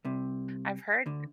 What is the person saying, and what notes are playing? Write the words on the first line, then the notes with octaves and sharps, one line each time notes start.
I've heard
C2 C3
D2 D3